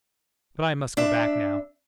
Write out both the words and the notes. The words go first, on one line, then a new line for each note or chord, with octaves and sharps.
But I must go back now.
D4 E5